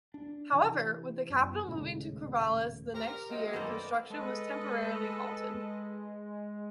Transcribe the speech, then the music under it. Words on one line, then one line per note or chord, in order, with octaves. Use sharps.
However, with the capital moving to Corvallis the next year, construction was temporarily halted.
D4
C3 E3
F#2 B3
D#1 A2 C#3 G#3
G4 A#4 C5 A#5
D2 C3 G#3 A#3 F#4 D#5
F#2 D#3 A#3 B3 A4 C5 G#5
D5
G#3 A4 B4 D#5